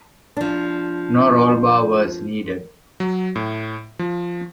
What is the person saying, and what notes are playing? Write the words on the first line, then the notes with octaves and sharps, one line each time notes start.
No rollbar was needed.
F3 D4
F#3
A2
F3